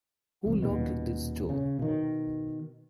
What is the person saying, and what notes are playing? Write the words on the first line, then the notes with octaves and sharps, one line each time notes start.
Who locked this door?
E1 C2
D#1 D#2 B2
C#3
B2 D#3